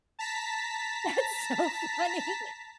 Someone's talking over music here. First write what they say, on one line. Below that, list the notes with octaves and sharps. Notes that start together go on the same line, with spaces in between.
That's so funny.
A5 A#5 B6